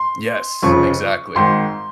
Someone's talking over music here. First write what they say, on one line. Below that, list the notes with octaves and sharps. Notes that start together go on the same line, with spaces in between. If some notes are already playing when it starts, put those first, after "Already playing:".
Yes, exactly,
Already playing: C6
F1 F2 C#3 F3 C#6
G#1 G#2 D#3 C6